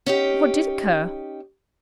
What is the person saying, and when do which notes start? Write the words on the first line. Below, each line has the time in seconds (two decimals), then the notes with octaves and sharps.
What did occur?
0.06 C#4 D#4 G4